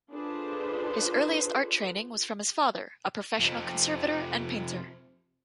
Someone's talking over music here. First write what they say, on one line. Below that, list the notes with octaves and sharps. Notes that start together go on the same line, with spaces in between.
His earliest art training was from his father, a professional conservator and painter.
D4 F4 G#4 A4 B4 C5
F2 C3